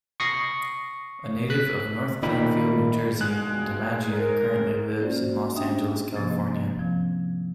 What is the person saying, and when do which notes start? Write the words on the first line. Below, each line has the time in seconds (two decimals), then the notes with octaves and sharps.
A native of North Plainfield, New Jersey, DiMaggio currently lives in Los Angeles, California.
0.20 C#6 D#6 A#6 C7
1.50 F#6 B6
2.23 A#2 D#3 D#4 B5
3.21 G2 B2 G#3 F#6
4.11 A#4
4.99 A#3 C#4 F4 F#4 C5 D5
5.54 C#4 D4 G4 E5 G5 D#6
6.15 G#2 C3 F3 A#3 A6
6.78 C3 F3 C4